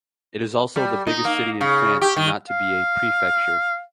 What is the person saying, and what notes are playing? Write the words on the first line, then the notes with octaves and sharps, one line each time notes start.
It is also the biggest city of France not to be a prefecture.
G3
D#4
A#3
C#3
G4
D#3
F5